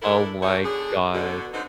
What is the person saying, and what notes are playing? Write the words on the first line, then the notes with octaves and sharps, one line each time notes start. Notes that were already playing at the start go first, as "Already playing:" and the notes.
Oh my god.
G#3 A3 D4 E4 A4 A#4
G#2 F#4 G4 A4 C#5
B2 D3 D4 G#4
B2 D3 F#4
D3 F#3 B3 C4 D#4